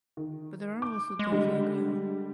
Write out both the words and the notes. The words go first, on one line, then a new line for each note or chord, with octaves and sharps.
But there are also things we agree on.
D#3
D6 G6
G#3
D3 G3